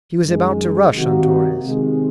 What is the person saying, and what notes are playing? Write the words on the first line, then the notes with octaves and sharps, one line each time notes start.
He was about to rush on Torres.
F#2 D#3 G#3 D#4
C3 D#3 A#3 D#4 F#4
C3 D#3 G#3